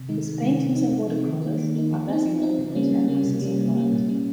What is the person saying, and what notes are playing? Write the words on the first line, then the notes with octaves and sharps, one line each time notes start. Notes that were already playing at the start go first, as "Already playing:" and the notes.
His paintings and watercolors are best known for his emphasis on light.
Already playing: C3
D#3 G#3 D#4
C3
D#3 G#3 D#4
C3
F3 C4 D#4
C3
F3 C4 D#4
D#3
A#3 D#4
D#3
A#3 D#4
F3
C4 D#4
F3
C4 D#4
C#3
G3 A#3 C#4
C#3
G3 A#3 C#4
C3
G3 A#3 C#4
C3
G3 A#3 C#4
A#2
G3 C#4